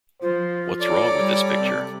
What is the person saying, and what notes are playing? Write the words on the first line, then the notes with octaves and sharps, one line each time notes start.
What's Wrong with This Picture?
F3 F4 C5
A4 C#5 D5 A#5 D6
G3
C3